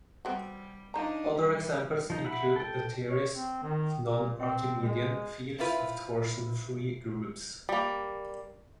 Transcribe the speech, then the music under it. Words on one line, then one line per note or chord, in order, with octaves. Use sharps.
Other examples include the theories of non-archimedean fields and torsion-free groups.
G3 B3 C4 F#4
F3 D4 D#4 C5 A#5
E3 G3
F3 D#4
E5 F#5 B5
A4 G5
C#5
C4
D#3
A#2
C4
G#3
C4 E4 F4 B4
G3 A#3